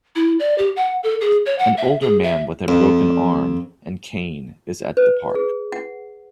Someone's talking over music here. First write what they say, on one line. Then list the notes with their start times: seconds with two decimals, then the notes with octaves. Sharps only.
An older man with a broken arm and cane is at the park.
0.15 E4
0.39 D5
0.58 G4
0.76 F#5
1.03 A4
1.21 G#4
1.46 C#5
1.58 F#5
1.77 E5
2.01 G#4
2.23 E5
2.68 F2
4.97 B4
5.35 G#4
5.72 F#5